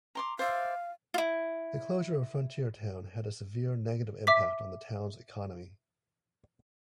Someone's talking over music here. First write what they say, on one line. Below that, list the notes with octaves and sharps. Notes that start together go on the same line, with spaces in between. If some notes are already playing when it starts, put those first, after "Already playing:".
The closure of Frontier Town had a severe negative impact on the town's economy.
A#5 C6 D6
C5 D5 E5 F5
E4 F4
E5 D6 B6